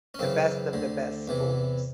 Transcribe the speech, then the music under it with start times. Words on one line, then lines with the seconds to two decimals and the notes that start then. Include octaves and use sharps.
The best of the best schools.
0.14 C#4
0.19 F#2 C#3 E3 C4
0.73 D2 D3
1.28 E2 C3 E3